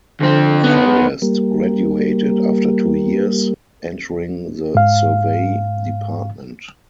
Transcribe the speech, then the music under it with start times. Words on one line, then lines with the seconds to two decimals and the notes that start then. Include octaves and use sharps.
Forrest graduated after two years, entering the Survey Department.
0.20 F2 D3 C4
0.64 B3 D#4
1.22 G3 A#3
4.75 G#2 F5